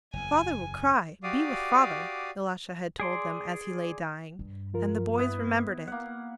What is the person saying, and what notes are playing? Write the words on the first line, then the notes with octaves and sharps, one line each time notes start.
"Father will cry, be with father," Ilusha had told them as he lay dying, and the boys remembered it.
F#1 E2 G#5
F#4 G4 D5 F5 D6 D#6
G#4 D5 C6
G2
F3 F4 A#4
B3 E4 B4 D#6
A#3 F#5